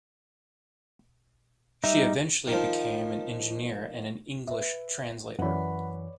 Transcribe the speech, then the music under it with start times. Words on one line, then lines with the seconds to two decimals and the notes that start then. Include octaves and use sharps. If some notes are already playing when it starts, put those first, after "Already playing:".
She eventually became an engineer and an English translator.
1.84 G3 D#4 E5
2.47 D#3 F3
4.47 B4 E5
5.39 F#2 E3 B4 C#5 D5 F#5 B5